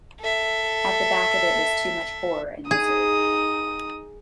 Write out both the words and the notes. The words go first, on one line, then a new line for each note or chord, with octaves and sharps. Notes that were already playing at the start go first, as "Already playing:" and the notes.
At the back of it was too much horror and misery.
A4 E5
D#4 G#4 D#6